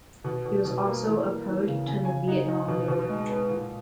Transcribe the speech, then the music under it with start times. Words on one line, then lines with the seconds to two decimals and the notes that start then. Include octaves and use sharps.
He was also opposed to the Vietnam War.
0.24 B2 F#5
0.45 B2
0.65 B2
0.85 A#3
1.06 E3
1.26 A#3
1.47 E3
1.67 C#3
1.87 C#3 G#5
2.05 C#3 G#5
2.28 D#4 F#5
2.48 D#4
2.68 B2
2.88 B2
3.09 G#3
3.29 B3
3.50 A#2